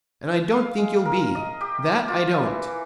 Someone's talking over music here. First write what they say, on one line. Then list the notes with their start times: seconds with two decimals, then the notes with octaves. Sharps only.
And I don't think you'll be. That I don't.
0.52 F5
0.78 G#3
1.05 A#4
1.35 D#5
1.61 G4
2.08 F4
2.43 E3